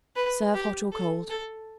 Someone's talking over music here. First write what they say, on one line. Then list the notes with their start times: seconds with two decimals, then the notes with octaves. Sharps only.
Serve hot or cold.
0.16 B4
0.54 G4
0.92 A4
1.29 A4